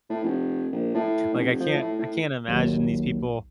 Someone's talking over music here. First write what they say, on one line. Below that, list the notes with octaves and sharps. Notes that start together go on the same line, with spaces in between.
like, I can't I can't imagine these people.
A2
F1
A#1
A2
F1
F3
A2
A2
A#1 D#2 F#3